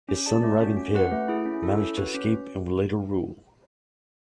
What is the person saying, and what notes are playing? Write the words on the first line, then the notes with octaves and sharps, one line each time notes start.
His son Raginpert managed to escape and would later rule.
C#4
G#4 D5 A5
A3
C#4 F#4
C#4
F#4 B4 F#5
A3
E4 G#4
C#4
E4 A4
C#4
F#4 B4
C#4